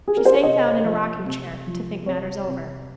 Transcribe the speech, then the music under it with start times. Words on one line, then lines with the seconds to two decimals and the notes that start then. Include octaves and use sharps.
She sank down in a rocking chair, to think matters over.
0.08 G#4
0.17 A#4
0.25 C5
0.35 C#5
0.43 C3 D#5
0.84 F3
1.26 C3
1.67 F3
2.06 C3 C#5
2.47 C3